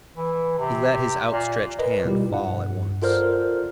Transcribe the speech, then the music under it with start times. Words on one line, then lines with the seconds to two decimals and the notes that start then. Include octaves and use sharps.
He let his outstretched hand fall at once.
0.16 E3
0.59 C3
1.30 A#2
1.79 A#4 B4 D#5
2.05 B2 G3 E4 F4 G4
2.30 G2 F#5
3.02 F4 A4 A#4 C5 D5 F6